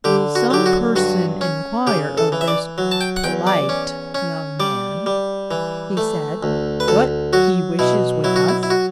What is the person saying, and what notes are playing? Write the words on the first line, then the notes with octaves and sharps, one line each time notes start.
"Will some person inquire of this polite young man," he said, "what he wishes with us?"
D3 G4
F#4
F#3 G4
F#4
G2 F#4
C#4
C#3 G4
A4
E3
E5
D5
F#3
A5
G5
F#5
E2 G5
D5
C#4
C#4
G3 D5
G3
E3
A3
D2
B4
D2 A4
F#3 F#4
B2 E4
F#3 E4
F#4
E4
E4
F#4